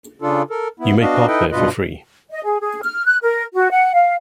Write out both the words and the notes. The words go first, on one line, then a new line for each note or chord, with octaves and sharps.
You may park there for free.
C#3 D4 F4 A4
A4 A#4
B3 E4
B3 D4 F#4 D#5 F5
D#4 E4 A4 B4 D#5 G5
G2 B2 F4 B4 D#5
D#5
G#4
G#4
F6
F#6
A#4
F#4
F#5
F5